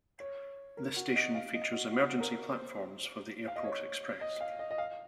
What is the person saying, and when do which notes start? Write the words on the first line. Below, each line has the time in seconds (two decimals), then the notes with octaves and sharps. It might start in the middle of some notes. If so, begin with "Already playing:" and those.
This station features emergency platforms for the Airport Express.
0.20 C#5
0.77 A#4
0.96 F#4
1.16 D#5
1.35 F5
1.54 D#5
1.73 F#4
1.92 F#4
2.20 A#4
2.49 C5
3.48 F5
3.56 D#5
3.64 C#5
4.21 D#5
4.41 F5
4.59 D#5
4.71 D#5
4.78 F5